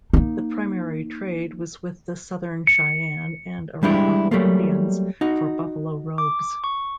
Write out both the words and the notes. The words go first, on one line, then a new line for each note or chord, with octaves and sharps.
The primary trade was with the Southern Cheyenne and Arapaho Indians for buffalo robes.
A#3 D#4
C#7
G3 G#3 D4 E4 G4
F#3 G3 A3 A#3
D#4 F#4
D6
C#6